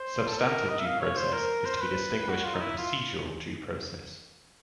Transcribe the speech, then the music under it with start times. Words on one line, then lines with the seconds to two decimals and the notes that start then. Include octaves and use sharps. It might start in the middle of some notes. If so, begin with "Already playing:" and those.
Substantive due process is to be distinguished from procedural due process.
Already playing: C5
0.27 A4
0.38 A#4
0.69 D#5
0.79 E5
0.86 F5
1.01 C#5
1.17 C5
1.33 A#4
1.66 C5
1.76 C5
1.81 B4
2.29 F#4
2.44 F4
2.54 D#4
2.61 E4
2.77 F4